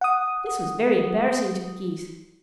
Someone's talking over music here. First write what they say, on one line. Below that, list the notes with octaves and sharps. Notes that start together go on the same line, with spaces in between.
This was very embarrassing to the Geese.
F#5 D#6